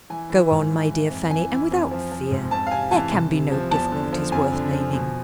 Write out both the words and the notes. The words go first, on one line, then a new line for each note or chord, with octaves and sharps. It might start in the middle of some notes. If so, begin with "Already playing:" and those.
Go on, my dear Fanny, and without fear; there can be no difficulties worth naming.
E3 G#5
E3
G#2
E3
E3
F2
E3 G#5
E3
F2
F3
F3
G#2
F2 A5
F5
C3 G#5
E3 A5
C2
C3
F3
E2 A5
D3
F3
F2 G#5
D3
F3
B2